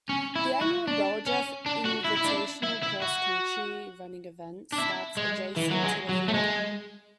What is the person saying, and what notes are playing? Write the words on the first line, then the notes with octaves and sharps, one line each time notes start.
The annual Bell-Jeff Invitational cross country running event starts adjacent to the theater.
C#4
E4
F#4
D4
C#4
D4
F#4
E4
E4
D4
E4
E4
F#4
D4
E4
G#3
E3
F#3
G#3
F#3
A3
G#3